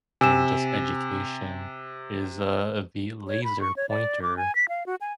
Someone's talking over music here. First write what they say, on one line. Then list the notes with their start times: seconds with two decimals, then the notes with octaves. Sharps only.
in just, education is, uh, the laser pointer.
0.21 C3 G#5 E6 E7
3.28 C#5
3.44 B5
3.61 C#6
3.76 C#5
3.89 D5
4.22 D6
4.37 G#5
4.55 B6
4.69 F5
4.86 F#4
5.01 G#5